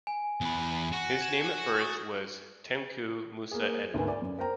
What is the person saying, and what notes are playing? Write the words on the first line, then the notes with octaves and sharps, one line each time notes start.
His name at birth was Tengku Musa Eddin.
G#5
E2 B4
F#4
G#6 D#7 E7
C#6 D#6 A6
A#3 G#4
D2 G#2 B3 A#4 G#5
D5
F#2
A#4 C5 G5 A#5